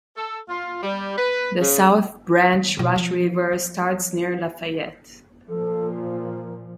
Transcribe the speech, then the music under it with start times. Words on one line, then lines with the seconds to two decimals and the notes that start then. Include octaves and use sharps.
The South Branch Rush River starts near Lafayette.
0.17 A4
0.49 F4
0.83 G3
1.18 B4
1.60 C#3
2.53 D#3
2.77 B2 F3
2.96 F3
3.53 F3
5.48 A#2 F3 A4
6.08 A#4